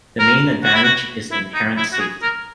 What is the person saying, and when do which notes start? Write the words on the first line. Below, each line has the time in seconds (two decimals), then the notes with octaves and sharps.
The main advantage is inherent safety.
0.19 A#4
0.64 F#4
0.74 E4
0.83 F#4
1.32 E4
1.54 D#4
1.77 E4
1.92 F#4
1.99 G#4
2.22 A#4